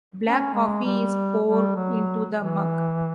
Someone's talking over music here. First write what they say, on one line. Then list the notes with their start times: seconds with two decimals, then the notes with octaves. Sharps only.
Black coffee is poured into the mug.
0.23 C#4
0.54 G#3
0.85 G3
1.45 G3
1.76 F#3
2.37 E3